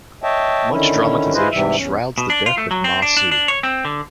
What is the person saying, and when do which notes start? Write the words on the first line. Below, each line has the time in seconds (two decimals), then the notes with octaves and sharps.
Much dramatization shrouds the death of Ma Su.
0.24 C#5 D#5 E5 G5 A5
0.71 D3 D#3 C#4 E4
1.34 E4 F4 G#4 B4 C5 D#5
1.52 G#2 C3 E3 G3 E5
1.76 E2 C#4
2.18 B2
2.30 D4
2.46 F4
2.58 A3
2.71 F#3
2.84 C4
3.02 D4
3.17 D4
3.31 D4
3.48 C#5
3.63 C4
3.85 D3